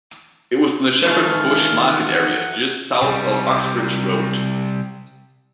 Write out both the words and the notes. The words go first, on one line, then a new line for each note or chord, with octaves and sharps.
It was in the Shepherd's Bush Market area just south of Uxbridge Road.
D#3 E3 G#3 A3 D#4 F4
F#2 F#5
C3 G3